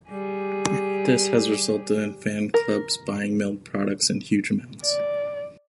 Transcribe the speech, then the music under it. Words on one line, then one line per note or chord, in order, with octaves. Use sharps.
This has resulted in fan clubs buying milk products in huge amounts.
G3 G4 G#4
A#4
D5